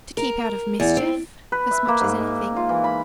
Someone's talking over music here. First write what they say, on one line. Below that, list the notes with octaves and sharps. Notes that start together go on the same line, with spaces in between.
'To keep out of mischief, as much as anything.'
A#4
E2
C4
B4
E5
A#3
G#2
G#2
F4
E3
B5